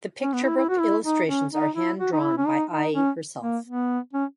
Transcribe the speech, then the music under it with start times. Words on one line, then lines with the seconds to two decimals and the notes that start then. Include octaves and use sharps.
The picture book illustrations are hand-drawn by Ai herself.
0.23 C#4
0.33 B3
0.44 E4
0.57 E4
0.69 F#4
0.80 E4
1.04 D#4
1.28 C#4
1.52 D#4
1.75 E4
1.99 F#4
2.13 D#4
2.22 E4
2.37 C#4
2.47 D#4
2.71 D#4
2.94 C#4
3.41 A#3
3.66 B3
4.13 C#4